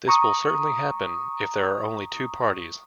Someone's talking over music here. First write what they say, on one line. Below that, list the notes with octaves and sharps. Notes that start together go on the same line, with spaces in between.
This will certainly happen if there are only two parties.
A#5 C#6 D#6